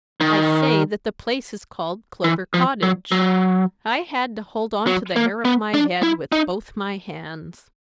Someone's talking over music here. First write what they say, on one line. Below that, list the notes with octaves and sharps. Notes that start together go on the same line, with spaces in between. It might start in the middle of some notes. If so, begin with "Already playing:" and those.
'I say that the place is called Clover Cottage.' I had to hold on to the hair of my head with both my hands.
D#3
E3
F3
F#3
F#3
F#3
A#3
B3
D4
E4
D#4